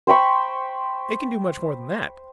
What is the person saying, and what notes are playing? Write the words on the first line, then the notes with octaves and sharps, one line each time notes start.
It can do much more than that.
C5 G5 B5 C#6